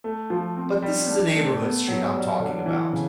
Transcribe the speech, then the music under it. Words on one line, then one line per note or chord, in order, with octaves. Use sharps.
but this is a neighborhood street I'm talking about,
A3
F3
C4
G3
D4
A3
B3
F#3
G3
D3
E3
C#3